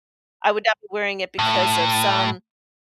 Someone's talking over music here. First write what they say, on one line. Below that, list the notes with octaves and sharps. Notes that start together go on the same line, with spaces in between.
I would not be wearing it because of some
A2